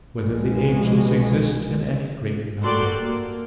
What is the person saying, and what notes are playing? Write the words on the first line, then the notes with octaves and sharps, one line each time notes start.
Whether the Angels Exist in Any Great Number?
C2 B2 F3 G#3
A#3 F#4 G4 A4 D5 C6
A#3